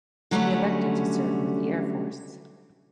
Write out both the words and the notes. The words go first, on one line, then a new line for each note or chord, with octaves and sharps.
He elected to serve with the Air Force.
D3 F#3 G3 A3 C4 C#4